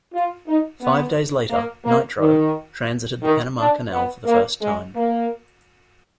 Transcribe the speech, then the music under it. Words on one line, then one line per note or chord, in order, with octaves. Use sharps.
Five days later "Nitro" transited the Panama Canal for the first time.
F4
D#4
B3
A#3
A#3
D#3
D#3
D4
B3
A#3
G#3
A#3